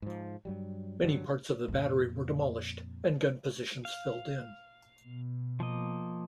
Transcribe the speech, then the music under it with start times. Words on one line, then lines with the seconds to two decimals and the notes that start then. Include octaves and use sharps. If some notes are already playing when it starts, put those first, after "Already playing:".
Many parts of the battery were demolished and gun positions filled in.
0.02 G#2 F3
0.45 G2 F#3 G3
1.02 G2 D3 F#3 G3
1.68 F2 A#2
3.85 F5
5.07 B2
5.60 F3 A#3 D#5